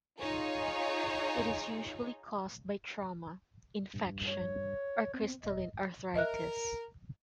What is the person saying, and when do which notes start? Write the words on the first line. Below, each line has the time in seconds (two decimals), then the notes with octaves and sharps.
It is usually caused by trauma, infection, or crystalline arthritis.
0.20 D#4 F4 G#4 C#5
3.93 G2
4.27 C#5
5.14 B3 C4
5.43 E1 D#5
6.16 A#4 D#5 E5 F#6